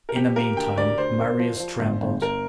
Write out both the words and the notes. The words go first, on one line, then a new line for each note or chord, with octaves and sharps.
In the meantime, Marius trembled.
A#4
F3 G4
A#3 A#4
D2 G5
D2 D5
D2 C5
A#3
F3
F3
G1
G1
G1 A#4